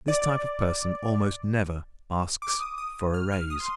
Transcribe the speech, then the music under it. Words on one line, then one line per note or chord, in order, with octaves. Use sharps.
This type of person almost never asks for a raise.
D5
D6
D#6
D#6
F6
F6
D#6
C6